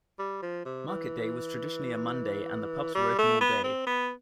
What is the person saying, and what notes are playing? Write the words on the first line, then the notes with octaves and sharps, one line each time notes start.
Market day was traditionally a Monday and the pubs were open all day.
G3
F3
C3
E3
G3
A3
B3
C4
B3